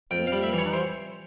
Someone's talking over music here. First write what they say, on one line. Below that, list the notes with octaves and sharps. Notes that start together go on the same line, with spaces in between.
"Leave Utah!"
F2 G5
F5
G3
E5
E3
C#5
C5